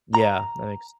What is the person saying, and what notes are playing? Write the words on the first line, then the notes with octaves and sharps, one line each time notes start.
Yeah, that makes
A#5